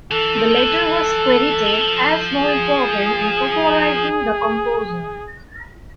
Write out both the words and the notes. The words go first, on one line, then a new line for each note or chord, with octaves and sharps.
The latter was credited as more important in popularizing the composer.
E3 A4
D#3
F3
E3
F3
E3
F3
G#4